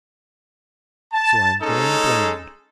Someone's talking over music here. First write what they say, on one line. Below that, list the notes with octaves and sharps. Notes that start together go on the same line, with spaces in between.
So I am going blind.
A5
G#3 C#4 D#4 G#4 A4